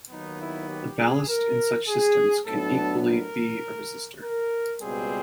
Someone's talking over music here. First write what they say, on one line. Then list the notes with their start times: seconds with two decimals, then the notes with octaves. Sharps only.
The ballast in such systems can equally be a resistor.
0.11 D#2 D#3 F#3 B3 D#4
0.40 E4
0.69 G4
0.99 G#4
1.28 A#4
1.88 G#4
2.46 A2 F#3 B3 D4 A4
3.06 A#4
4.23 A#4
4.82 C#2 B2 G3 C4 G#4